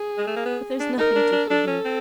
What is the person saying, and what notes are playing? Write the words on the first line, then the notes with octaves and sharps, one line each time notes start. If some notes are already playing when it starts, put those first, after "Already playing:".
"But there's nothing to forgive."
Already playing: G#4
G#3
A3
A#3
B3
D4
D#4 A#4
D4
D4
D4 A4
C#4
C4